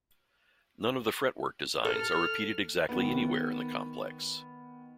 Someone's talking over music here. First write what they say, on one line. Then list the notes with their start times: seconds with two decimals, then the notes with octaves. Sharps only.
None of the fretwork designs are repeated exactly anywhere in the complex.
1.85 A4 F6
2.89 D#3 B3